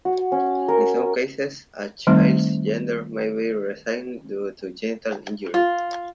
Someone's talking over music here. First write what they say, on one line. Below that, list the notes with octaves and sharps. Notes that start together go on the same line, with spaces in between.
In some cases, a child's gender may be reassigned due to genital injury.
F#4
C#4
A#4
D#3 G3 A3 C4 D#4
F4